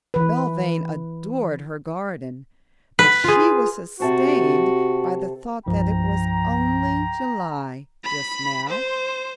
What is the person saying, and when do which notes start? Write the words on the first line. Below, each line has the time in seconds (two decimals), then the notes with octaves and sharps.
Belvane adored her garden, but she was sustained by the thought that it was only July just now.
0.14 E3 B4
2.99 B4
3.24 F4 G#4
4.00 C3 F#4 A4 C5
5.66 C2 G2 F3 G5 A#5
8.04 B5
8.69 C5